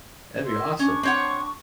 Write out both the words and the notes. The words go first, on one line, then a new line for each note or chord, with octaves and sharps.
That'd be awesome.
E4 A#4 C6
C#4 D4 C#6
C4 C#5 F#5